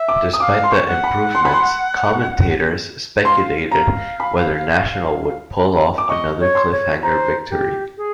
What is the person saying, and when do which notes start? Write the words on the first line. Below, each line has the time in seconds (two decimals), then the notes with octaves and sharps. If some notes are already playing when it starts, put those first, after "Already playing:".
Despite the improvements, commentators speculated whether National would pull off another cliffhanger victory.
Already playing: E5
0.08 D6
0.33 D#6
0.40 F5 D6
0.64 C6
0.72 C#6
0.88 F#5
1.04 B5
1.35 C6
1.45 B5
1.53 C6
3.25 F5 C6
3.71 F5 A#5
4.20 B5
5.98 D6
6.08 D#5 C#6
6.40 C#5
6.55 C6
6.72 C#5
7.03 C5 A#5
7.50 G4
7.98 G#4